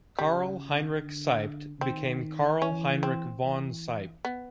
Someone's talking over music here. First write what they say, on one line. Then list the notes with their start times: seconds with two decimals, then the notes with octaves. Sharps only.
Karl Heinrich Seibt became Karl Heinrich von Seibt.
0.19 C#3 G3
1.00 D3
1.81 D#3 C4
2.62 E3 C#4
3.03 C4
3.44 E3
4.25 B3